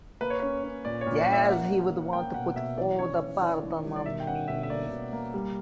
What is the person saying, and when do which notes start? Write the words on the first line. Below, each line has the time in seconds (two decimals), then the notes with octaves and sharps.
Yes, he would want to put all the burden on me.
0.21 A#3 B4
0.30 C#5
0.40 C#4 B4
0.64 C#4
0.85 A#2 D5
1.01 C#5
1.06 A#2
1.17 D5
1.27 C#4
1.33 E5
1.49 A#3 F#5
1.71 A#3
1.92 A#3
2.13 A#3 G5
2.34 B2 F#5
2.56 B2 E5
2.78 E3 D5
2.99 C#4 C#5
3.20 E3 C#5
3.41 E3 D5
3.63 E3
3.84 G3
3.96 D5
4.05 B2 E5
4.20 G5
4.27 C#4 F#5
4.48 B2 E5
4.63 E5
4.70 A#3 D5
4.90 B2
5.13 A#3
5.34 G3